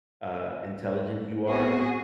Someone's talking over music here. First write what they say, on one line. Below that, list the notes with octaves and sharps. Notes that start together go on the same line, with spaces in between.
uh, intelligent you are.
B3 C4 F#4 G#4